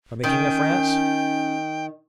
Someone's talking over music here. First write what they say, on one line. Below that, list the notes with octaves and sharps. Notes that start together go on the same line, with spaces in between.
"From the king of France?"
D#3 C#4 G5